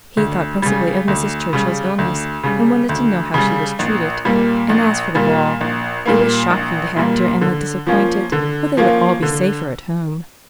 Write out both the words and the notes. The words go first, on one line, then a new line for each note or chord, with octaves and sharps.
He thought principally of Mrs. Churchill's illness, and wanted to know how she was treated; and as for the ball, it was shocking to have dear Emma disappointed; but they would all be safer at home.
D2
C#3 G3
D2
C#3 G3
D2
C#3 G3
D2
C#3 G3
A#1
A#2 G3 A#3
A#1
A#2 G3 A#3
A#1
A#2 G3 A#3
A#1
A#2 G3 A#3
D3
F3 A#3 C#4 F4
D3
F3 A#3 C#4 F4
D3